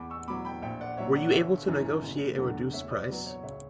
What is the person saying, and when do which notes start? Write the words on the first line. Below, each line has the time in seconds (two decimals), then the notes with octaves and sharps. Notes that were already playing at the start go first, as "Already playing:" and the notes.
Were you able to negotiate a reduced price?
Already playing: E2 B5 D6
0.10 C#6 E6
0.28 B2 F#3 B5 D6
0.45 G5 B5
0.62 A#1 E5 G5
0.81 D5 F#5
0.97 A#2 F#3 C#5 E5
1.15 D5 F#5
1.33 G1 C#5 E5
1.68 F#2 E3
2.03 F#1
2.38 E2 D3 F#3
2.73 E2 C#5 E5
2.91 B4 D5
3.08 B2 F#3 B4
3.26 C#5
3.43 C#2 C#5 E5